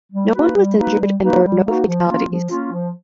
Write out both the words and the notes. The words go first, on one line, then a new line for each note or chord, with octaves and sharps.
No one was injured and there were no fatalities.
G3
A#3 D#4 F#4 B4
G3
A#3 D#4 F#4 B4
G3
A#3 D#4 F#4 B4
G3
A#3 D#4 F#4 B4
F3
A#3 C#4 F4
F3
A#3 C#4 F4
F3